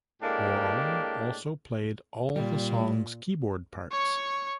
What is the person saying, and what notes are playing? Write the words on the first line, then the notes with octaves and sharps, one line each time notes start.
Worrell also played all the song's keyboard parts.
A2 G#3 A#3 D4 G4
A#2 G3
C#5 C#6